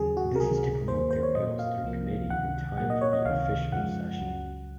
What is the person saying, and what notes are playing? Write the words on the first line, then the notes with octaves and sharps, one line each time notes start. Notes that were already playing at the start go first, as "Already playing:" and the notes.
This is to promote their bills through committee in time for the official session.
Already playing: D#2 C#3 F#3 G#4
F#4
A#4
C#2 C3 F#3 G#4
D#2 D#3 A#3 C5
C5
C#5
A#2 F#3 A#3 D#5
F5
C2 C3 F3 A#3
C#2 C3 D#3 F#5
A#2 F#3 A#3 F#5
D#5
C#5
D#5
C#2 C3 D#3 F5
F#2 C#3 F3 G#3 F#5
C#2 C#3 F#3